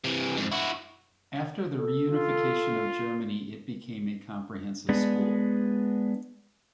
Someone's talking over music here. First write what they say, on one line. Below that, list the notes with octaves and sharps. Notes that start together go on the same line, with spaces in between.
After the reunification of Germany it became a comprehensive school.
C3 E3
F2 G#2
E4 F#4
A4
F4
G#3 B3 D4